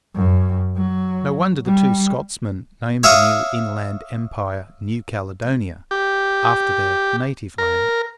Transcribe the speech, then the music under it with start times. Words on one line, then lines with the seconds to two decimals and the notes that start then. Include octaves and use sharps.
No wonder the two Scotsmen named the new inland empire New Caledonia--after their native land.
0.15 F#2
0.77 F#3
1.65 G3
3.03 C#5 E5 F5 C#6 D#6
5.91 G4
7.58 A#4